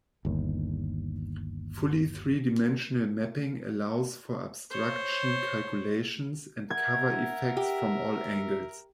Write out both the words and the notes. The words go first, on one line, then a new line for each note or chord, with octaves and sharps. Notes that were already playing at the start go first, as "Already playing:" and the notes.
Fully three-dimensional mapping allows for obstruction calculations and cover effects from all angles.
G1 D#2
C5 C#5
A#4 E5 F#5 G#6
G4